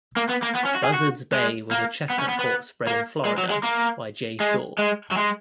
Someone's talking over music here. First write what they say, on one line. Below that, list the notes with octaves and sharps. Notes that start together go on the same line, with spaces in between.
Buzzards Bay was a chestnut horse bred in Florida by Jay Shaw.
A#3
B3
A#3
B3
C#4
F#4
G#4
F#4
G#3
A#3
B3
C#4
B3
B3
A#3
G#3
F#3
G#3
A#3
G#3
G#3
F#3
G#3